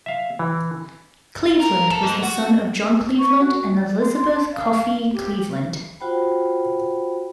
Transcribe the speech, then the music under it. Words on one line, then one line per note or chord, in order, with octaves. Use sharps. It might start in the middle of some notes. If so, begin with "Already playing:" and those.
Cleveland was the son of John Cleveland and Elisabeth Coffey Cleveland.
E5 F5
E3
A#4
A4
G#2
F#4
C#6
F#4
D5
C6
F5
G4
F4 F#4 C5 F#5 G5 B5